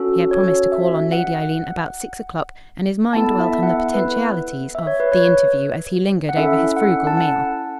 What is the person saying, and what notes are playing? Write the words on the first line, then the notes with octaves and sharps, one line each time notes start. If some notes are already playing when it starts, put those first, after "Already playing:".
He had promised to call on Lady Eileen about six o'clock, and his mind dwelt on the potentialities of the interview as he lingered over his frugal meal.
Already playing: C#4 F#4 A4
C#5
E5
F#5
B3 E4 A4 A5
E5
F#5
E5
B4
E5
C#5
B4
C#5
F#5
C#4 E4 A4 E5
F#5
A5
F#5